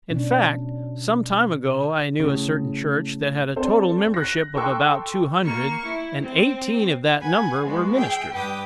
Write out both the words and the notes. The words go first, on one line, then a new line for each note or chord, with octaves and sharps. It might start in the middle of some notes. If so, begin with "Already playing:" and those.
In fact, some time ago I knew a certain church that had a total membership of about two hundred, and eighteen of that number were ministers.
B2 C#4 D4
A2 C#3
C4 D4 A4 C5
F#6 A#6
A4 G5 C6 C#6 E6 F#6
A#3 C#6
E4
C4
B4 F#5 G#5
F3 G#3 B3 F#4
G#4 E5 G5
G2 G4 B4 G5 D6 D#6